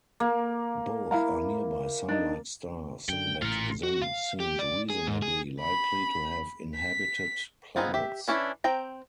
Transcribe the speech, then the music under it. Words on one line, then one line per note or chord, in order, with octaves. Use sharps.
Both are nearby Sun-like stars that then seemed reasonably likely to have inhabited planets.
A#3
E4 F5 A#5
D4 D#4
F#2 D3 G5
A1 A2 F4 A#4
F#4
F5
G4
D5
G#4
G#2
G#4
B5
B6
B3 C4 D#4 F4 G#4
G4 E5
E3 C#4 D4 E4
C4 G5 A#5